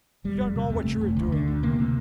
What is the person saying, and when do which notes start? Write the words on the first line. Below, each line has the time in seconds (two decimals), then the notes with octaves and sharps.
You don't know what you are doing.
0.24 F1 G3
0.40 F2
0.56 C3
0.70 D#2 A3
0.86 F1
1.01 F1
1.17 D2
1.32 D3
1.48 D2
1.63 C3 A#3
1.79 C3